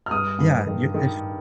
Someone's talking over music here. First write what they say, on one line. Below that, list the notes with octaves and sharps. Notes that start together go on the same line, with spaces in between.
Yeah, you ish
F6
G2 D#6
G2
D#3
D#3